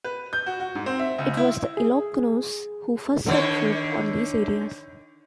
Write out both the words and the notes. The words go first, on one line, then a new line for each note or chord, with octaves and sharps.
It was the Ilocanos who first set foot on these areas.
B4
G6
F#4
F#4
G#2
C4
E5
C#2
E4
G#4
D3 D#3 C#5